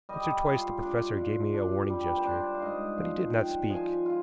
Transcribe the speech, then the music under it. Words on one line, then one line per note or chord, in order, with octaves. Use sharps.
Once or twice the professor gave me a warning gesture, but he did not speak.
G3 D#5
F4
D4
F4
D4
G3
C5
D4 D5
F5
G#2 D#5
F3 F5
F3 G5
F3 G#5
F4